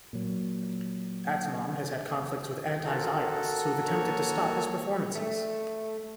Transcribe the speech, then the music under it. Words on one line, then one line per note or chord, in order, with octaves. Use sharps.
Atzmon has had conflicts with anti-Zionists who have attempted to stop his performances.
A#2 F#3
F4 F#4 A4 A#4
A#3 C#5
A3